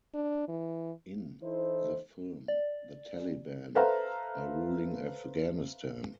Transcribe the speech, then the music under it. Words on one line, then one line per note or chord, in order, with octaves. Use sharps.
In the film, the Taliban are ruling Afghanistan.
D4
E3
E3 D#4 E4 A4 C5
D5
A4 B4 C5 E5 F5 A#5